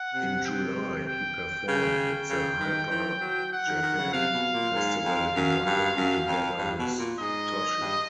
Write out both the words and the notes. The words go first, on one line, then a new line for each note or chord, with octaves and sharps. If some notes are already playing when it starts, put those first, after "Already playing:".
In July, he performed at the Hyper Japan Festival in London, together with Toshi.
Already playing: F#5
C3
G5
G5
C#3 G5
G5
C#3
D#3
E3
F#3
F#5
D#3
D#3
C#3
C3 F5
B2
A#2
G#2
F2
F#2
G2
F#2
F2
G2
B2
A#2
G#2 D#5
G2